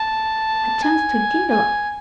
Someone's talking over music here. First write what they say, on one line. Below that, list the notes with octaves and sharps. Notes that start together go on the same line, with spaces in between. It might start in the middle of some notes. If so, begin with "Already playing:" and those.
"A chance to develop."
Already playing: A5
G#5
G#5